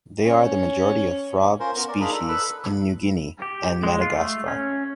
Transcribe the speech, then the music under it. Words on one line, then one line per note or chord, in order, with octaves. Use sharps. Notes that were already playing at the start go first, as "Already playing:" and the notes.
They are the majority of frog species in New Guinea and Madagascar.
C#4
C#4 F4 A#4 C5
B3 A#4
A#4 D5
D4 D#4 F4 G#4 A#4 B5
A4
A4 B4 B5
G4
G#3
F4
A3
C#4